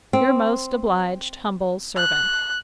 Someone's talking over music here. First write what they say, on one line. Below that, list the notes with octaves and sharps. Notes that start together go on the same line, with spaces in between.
'Your most obliged humble servant.'
C4
F#6